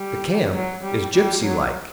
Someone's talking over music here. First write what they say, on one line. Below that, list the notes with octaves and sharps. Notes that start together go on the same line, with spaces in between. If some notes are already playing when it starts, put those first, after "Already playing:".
The camp is gypsy-like.
Already playing: G3
F#3
G3
G3
F#3